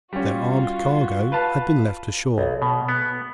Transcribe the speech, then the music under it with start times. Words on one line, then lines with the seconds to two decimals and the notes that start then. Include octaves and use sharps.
Their armed cargo had been left ashore.
0.13 G3 C#4 F4 F#4
1.32 B4 F5 A5
2.38 B1
2.62 B2
2.88 B3